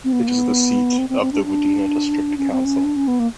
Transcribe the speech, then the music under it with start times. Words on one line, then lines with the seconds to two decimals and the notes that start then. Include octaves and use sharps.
It is the seat of the Wudinna District Council.
0.04 C4
0.12 B3
0.21 A#3
0.28 B3
0.98 C4
1.09 C4
1.21 C4
1.32 D4
1.45 D4
2.38 C#4
2.51 C4
2.65 C#4
2.84 D4
2.96 C#4
3.08 B3
3.19 A#3